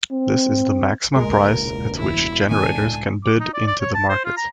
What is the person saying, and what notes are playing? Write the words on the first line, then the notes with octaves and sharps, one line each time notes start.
This is the maximum price at which generators can bid into the market.
C4
C#2 A#2 G#3 A#4
E1
E4
D#3 B3 D4 G#5
C#2 A2 G#3
D6
D#4
D5
D5
C#5
A5
C5
F4
A#5